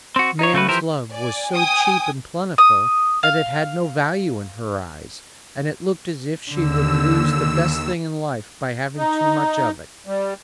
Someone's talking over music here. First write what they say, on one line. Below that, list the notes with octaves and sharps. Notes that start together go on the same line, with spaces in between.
Man's love was so cheap and plentiful that it had no value in her eyes, and it looked as if she would lose the best thing in life by having too much of it.
C4 F#4
D#4 C#5
C#3 A3 F#4 B4
E3 F3 G4 A#4 C5 E5
D5 G#5
G5 G#5 D#6
D#6
F5
D#2 D3 E6
D#4
G3